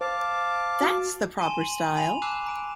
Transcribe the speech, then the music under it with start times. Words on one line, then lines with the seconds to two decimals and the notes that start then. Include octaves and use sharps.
That’s the proper style.
0.01 C5 F5 A5 D6
0.82 F#4
1.38 G#5 A5 C6 D7 D#7 G7
1.61 D#7 F#7
1.97 G#5 B5 D#7 F7
2.22 A5 D6 E6 F#6 C7 D#7
2.46 A#5 D7 E7